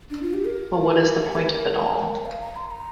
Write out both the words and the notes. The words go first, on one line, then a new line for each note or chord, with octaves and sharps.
But what is the point of it all?
D4
F4
G4
A#4
G4
A#4
F5
A#5
C6
A#5